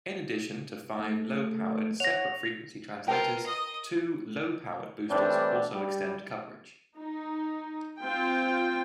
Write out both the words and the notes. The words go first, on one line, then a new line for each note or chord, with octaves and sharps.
In addition to five low-powered, separate-frequency translators, two low-powered boosters also extend coverage.
A3
C#5 F#5 A#6 F7
F4 A#4 B4 G5 A5
D#5 D#6
A2 E3 G3 C4 D4
G3
D#4
C4 F4 G5